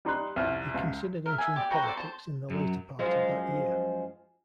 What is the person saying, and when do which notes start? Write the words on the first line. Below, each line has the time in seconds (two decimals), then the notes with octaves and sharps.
He considered entering politics in the later part of that year.
0.05 G3 D#4 C6 F#6
0.36 C2 F2 F6
0.74 C#2
1.26 A#4 E5
1.38 E5 G#5
1.56 G4 D5
1.70 F#4 B4 G5 A#5
1.83 A4 C5 D5
1.97 C5 A5
2.50 F#2
2.99 F#2 F3 G#3